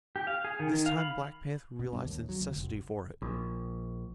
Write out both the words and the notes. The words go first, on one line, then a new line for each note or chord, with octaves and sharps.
This time Black Panther realized the necessity for it.
G4
F5
G#4
D#3
D#3
F5
B5
B2
G2
D#2
F#3
D2
F1
A#1